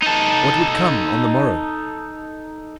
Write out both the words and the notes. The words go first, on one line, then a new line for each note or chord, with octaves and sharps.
What would come on the morrow?
D#4 A4